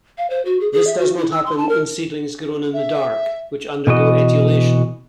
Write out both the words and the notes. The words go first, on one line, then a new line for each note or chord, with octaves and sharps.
This does not happen in seedlings grown in the dark, which undergo etiolation.
F5
C5
F#4
G#4
G#4
E5
F#4
E4
E6
C6
A5
A#4
E5
B2 E3 F#4 D#5